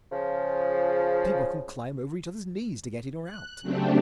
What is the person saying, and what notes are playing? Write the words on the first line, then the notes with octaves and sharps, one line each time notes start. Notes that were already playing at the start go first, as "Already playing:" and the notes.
People can climb over each other's knees to get in or out.
C#3 F3
F#6
C#3 F#3 A3 C4 D4 G4